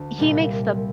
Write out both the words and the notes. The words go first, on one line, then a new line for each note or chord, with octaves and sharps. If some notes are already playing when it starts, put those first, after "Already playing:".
he makes the
Already playing: D2 D3
C2 A#2 G3